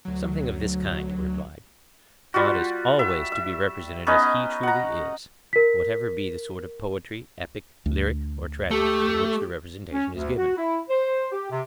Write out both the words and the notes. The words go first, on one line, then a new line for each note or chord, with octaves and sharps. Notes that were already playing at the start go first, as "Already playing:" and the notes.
Something of this kind, I replied:--God is always to be represented as he truly is, whatever be the sort of poetry, epic, lyric or tragic, in which the representation is given.
D2 F#3
G3 F4 F#4
E5
E5
B3 C#4 D#4 D#5
F#5 A#5
A#4 B6
D2
A3 G4
C#4
D2
F#4
E4
C5
G4
C3